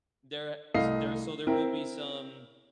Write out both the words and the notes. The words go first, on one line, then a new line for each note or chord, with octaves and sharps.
there ish there so there will be some
C2 A3 D#5 F5 C7
C4 E4 A#4 G5